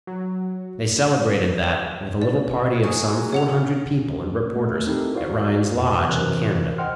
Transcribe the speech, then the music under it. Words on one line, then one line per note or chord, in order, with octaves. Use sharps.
They celebrated that, with a little party of some four hundred people and reporters at Ryan's lodge in Canada.
F#3
C#5
D5
F#3 G#4
C#5 F#5 F7
A3
C4 D#4 E4 G4 A4 A#4
F#4 C5 D5 F5
F2 B3
C3 E3 A#4 C5 F#6
C5 D#5 F#5 G5 C6 F6